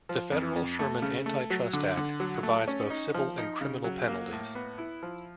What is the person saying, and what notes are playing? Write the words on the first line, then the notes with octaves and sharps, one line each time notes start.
The federal Sherman Antitrust Act provides both civil and criminal penalties.
F3
F2
F2
A3
C#3
A3
F#3
D3
D3
F#3
A3
C#4
D#4
F3
D#4
C#3
F#3
A#3
A2
B3
E4
F3